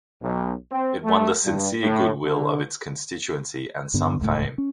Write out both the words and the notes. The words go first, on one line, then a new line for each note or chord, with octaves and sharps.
It won the sincere good will of its constituency and some fame.
B1
C4
A3
G2
A2
D3
G2 D3 B3
D#1 C#2 A2 A3
C#4